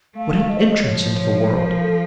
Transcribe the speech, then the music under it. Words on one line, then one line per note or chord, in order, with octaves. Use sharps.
What an entrance into the world!
A3 F5
D#5
F3 C#5
C#5
C5
A#4
A4